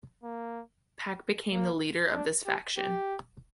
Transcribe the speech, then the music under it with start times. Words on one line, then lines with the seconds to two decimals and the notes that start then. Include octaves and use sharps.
Pak became the leader of this faction.
0.23 A#3
1.51 A#3
2.14 D4
2.46 G4
2.78 G4